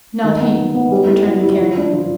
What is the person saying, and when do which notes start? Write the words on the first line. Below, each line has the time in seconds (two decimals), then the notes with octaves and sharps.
"Not he," returned the Carrier.
0.24 D#3
0.40 B3
0.57 B3
0.74 B3
0.92 G3
1.08 E4
1.25 G3
1.42 E4
1.59 F3
1.77 D4
1.93 F3